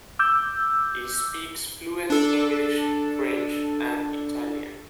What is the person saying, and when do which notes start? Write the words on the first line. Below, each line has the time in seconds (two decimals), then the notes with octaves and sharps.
He speaks fluent English, French, and Italian.
0.19 D6 E6 G6
2.10 D4 A4